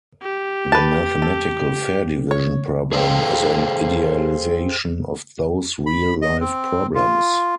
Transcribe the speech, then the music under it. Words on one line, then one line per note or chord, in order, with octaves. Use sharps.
The mathematical fair division problem is an idealization of those real life problems.
G4
B4 A5
A4
C#5
G#4 A4 C5 C#5 F5 G5
B5
D#5
C4
F4